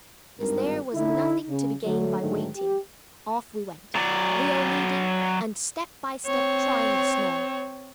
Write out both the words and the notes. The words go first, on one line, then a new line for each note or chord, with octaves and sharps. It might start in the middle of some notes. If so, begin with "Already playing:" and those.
As there was nothing to be gained by waiting, off we went, Leo leading and step by step trying the snow.
G#1 G2 A#4
D3 D#4 E4
C#3
D3 F#3 A3
G#2 D3 D#3 F#3 G#3 A3
G4
F#3 D5
C4 C#5